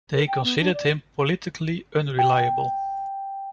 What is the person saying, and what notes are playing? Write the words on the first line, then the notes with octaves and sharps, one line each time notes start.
They considered him politically unreliable.
A#4
G5
B3
D4
D5
G5